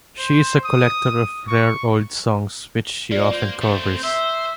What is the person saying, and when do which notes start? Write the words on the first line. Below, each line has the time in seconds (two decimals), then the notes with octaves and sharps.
She is a collector of rare old songs which she often covers.
0.18 C5
0.64 D#6
1.48 C#6
3.12 A#3 F4 D5
3.33 A#3 C5
3.62 A3 C4
4.04 C5 E5